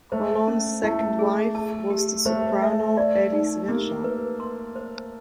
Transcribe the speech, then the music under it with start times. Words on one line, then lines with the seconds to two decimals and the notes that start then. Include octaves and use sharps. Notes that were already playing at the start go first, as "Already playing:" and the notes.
Colonne's second wife was the soprano Elise Vergin.
0.12 A3 C5
0.48 C#4
0.83 A3 E4
1.19 G#4
1.55 A5
1.90 G4
2.25 A3 C5
2.62 E5
2.97 D5
3.33 D#4
3.69 A#3 G4
4.04 B4
4.40 C6
4.76 C5